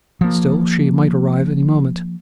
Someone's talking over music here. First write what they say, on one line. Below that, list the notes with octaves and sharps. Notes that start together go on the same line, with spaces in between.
Still she might arrive any moment.
F3 A#3